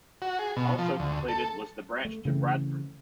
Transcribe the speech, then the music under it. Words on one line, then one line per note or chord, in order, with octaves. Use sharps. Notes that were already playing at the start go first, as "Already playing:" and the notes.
Also completed was the branch to Bradford.
F#4
G#4
B2
F3
D2
A4
A3
C#3 E3 A3 C4